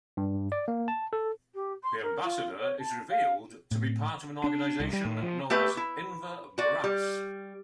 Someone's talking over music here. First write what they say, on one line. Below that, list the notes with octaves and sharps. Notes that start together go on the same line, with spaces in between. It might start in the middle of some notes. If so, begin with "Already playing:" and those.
The ambassador is revealed to be part of an organization known as Inver Brass.
G2
D5
A#3
A5
A4
G4
C6
A#4
F4
C#5
A5
F5
A2
D4
C2
G3
A2
F3
A3 G4 B4 E5
E4
F#4 D5
G3